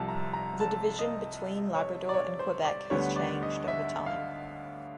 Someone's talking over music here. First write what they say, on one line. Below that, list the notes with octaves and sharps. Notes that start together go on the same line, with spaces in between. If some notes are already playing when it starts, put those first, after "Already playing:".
The division between Labrador and Quebec has changed over time.
Already playing: C2 C3 F3 A5
A#5
A#5
A5
D#5
C#5
D5
C#5
C5
D5
D2 D3 G3 B3 C#5
D5
D#5
E5
F5